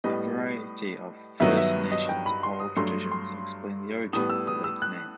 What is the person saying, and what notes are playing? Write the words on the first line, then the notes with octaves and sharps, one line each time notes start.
A variety of First Nations oral traditions explain the origin of the lake's name.
A2 G3 B3 D#5
G2 D#3 F#3 B3 E5
E5
D#5
G5
B5
C6
D#6
G2 F#3 A3 C6
C6
A2 G3 B3 D#6
E6
D#6
E6
F#6